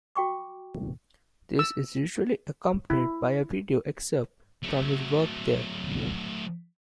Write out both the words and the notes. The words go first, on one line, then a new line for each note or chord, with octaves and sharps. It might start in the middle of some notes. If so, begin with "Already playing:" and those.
This is usually accompanied by a video excerpt from his work there.
F#4 G5 C#6 D6
E6
E4
F#3 A3